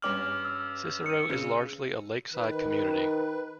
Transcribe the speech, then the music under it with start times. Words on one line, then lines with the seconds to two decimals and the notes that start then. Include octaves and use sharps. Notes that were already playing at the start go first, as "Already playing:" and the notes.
Cicero is largely a lakeside community.
0.02 G2 C#4 D6 F6 F#7
0.45 E6
1.06 C#7 D#7
1.30 C#3
2.33 D#3 B4